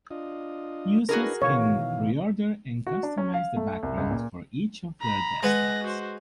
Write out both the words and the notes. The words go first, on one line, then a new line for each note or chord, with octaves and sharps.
Users can reorder and customize the background for each of their desktops.
D4 F4 D#5
D4 E4 F#4 G#4 A#4 B4
B2 D#3 E3 C#5 F5
F#4
D4
C#4
F5
A3
C2
C#2
A#2
A#5 B5
G#3 B4 F#5 F#6 A#6
F#4 C5